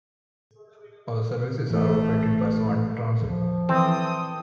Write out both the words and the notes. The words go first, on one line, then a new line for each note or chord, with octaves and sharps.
All services are operated by Swan Transit.
A1 E3 A3
F3
E3 C4 A4 D5 G5 D#6